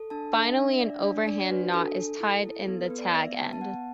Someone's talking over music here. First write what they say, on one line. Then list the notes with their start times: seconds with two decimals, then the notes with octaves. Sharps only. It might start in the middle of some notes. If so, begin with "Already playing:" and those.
Finally, an overhand knot is tied in the tag end.
Already playing: A4
0.10 D4 A5
0.34 D4 E5
0.57 D4
0.73 E5
0.80 D4 D5
1.04 D4
1.27 D4 D5
1.50 F#4 B4
1.74 D4 A4
1.97 A4
2.20 E4
2.44 A4
2.67 B3 A4
2.82 B4
2.90 B3
2.99 D5
3.14 B3 E5
3.38 B3
3.53 A5
3.61 B3 F#5